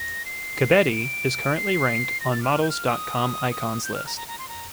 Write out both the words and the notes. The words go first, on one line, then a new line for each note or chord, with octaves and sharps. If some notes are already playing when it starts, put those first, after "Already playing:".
Kebede is currently ranked on models dot com icons list.
Already playing: A#6
C7
D7
C7
A#6
A6
F6
F6
G6
F6
D#6
D#6
G6
F6
A#5
A#5
A#5
C6
A#5